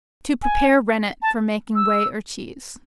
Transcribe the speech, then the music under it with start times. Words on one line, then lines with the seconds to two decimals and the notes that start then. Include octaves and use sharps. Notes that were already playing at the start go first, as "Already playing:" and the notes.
To Prepare Rennet for making Whey or Cheese.
0.43 G#5
1.22 A5
1.75 E6